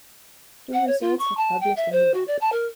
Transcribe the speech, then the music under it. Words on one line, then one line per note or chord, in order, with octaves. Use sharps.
The results are published on the web.
F#5
C#5
F4
C#6
A5
G5
E5
C5
F#4
D5
A5
A#4